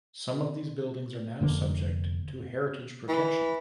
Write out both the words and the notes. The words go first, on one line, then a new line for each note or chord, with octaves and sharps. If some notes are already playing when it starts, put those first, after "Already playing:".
Some of these buildings are now subject to heritage protection.
F1 D3 A#3 D4
E3